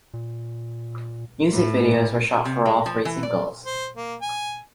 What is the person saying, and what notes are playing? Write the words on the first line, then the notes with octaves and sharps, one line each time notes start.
Music videos were shot for all three singles.
A#2
A2 A3
C3
G#3
F3
E3
D5
C5
A#3
G#5